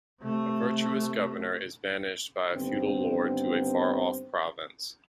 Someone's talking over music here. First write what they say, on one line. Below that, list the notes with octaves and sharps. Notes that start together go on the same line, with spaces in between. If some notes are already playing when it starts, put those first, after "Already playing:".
A virtuous governor is banished by a feudal lord to a far-off province.
C3 A3
G2 D3 D#3 B3 C4